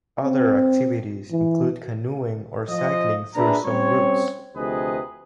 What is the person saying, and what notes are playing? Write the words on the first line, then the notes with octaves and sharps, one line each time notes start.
Other activities include canoeing or cycling through some routes.
C4
E3
F3 D#5
A#2 D4 G#4 B4 E5 A#5
G3 C4 C#4 C#5
D2 C3 F3 G#4 B4 D#5